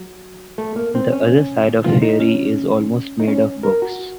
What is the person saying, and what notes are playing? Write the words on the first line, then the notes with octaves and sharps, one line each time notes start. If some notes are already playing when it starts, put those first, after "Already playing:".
The other side of Fairey is almost made of books.
Already playing: F#3
A3
A#3
C4
C#4
F4
D#4
C#4
D#4
C#4
A#4
F#4